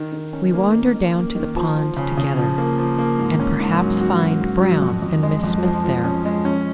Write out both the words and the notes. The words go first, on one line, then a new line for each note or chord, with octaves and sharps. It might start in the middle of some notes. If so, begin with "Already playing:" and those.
We wander down to the pond together, and perhaps find Brown and Miss Smith there.
Already playing: D#3
D#3
C#4
A#3
D#3
D#3
A#3
D#3
F3
F3
C#3
C#3
F3
A#3
F3
A#3
G#2
C#4
G#2
F#3
F#4
F#4
F#3
F#3
F2
F2
G#3
F2
F3
F3
C#4
G#3
C#4